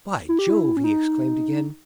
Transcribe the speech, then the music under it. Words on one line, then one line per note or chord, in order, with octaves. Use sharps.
"By Jove!" he exclaimed again.
E4
G4
E4
C#4
D#4